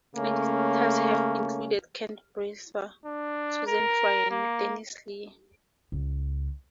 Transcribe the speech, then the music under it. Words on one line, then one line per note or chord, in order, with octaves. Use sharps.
Editors have included Kent Brewster, Susan Fry, and Denise Lee.
C#3 A3 A#3 C#4
D4
A#4
A#3
C#2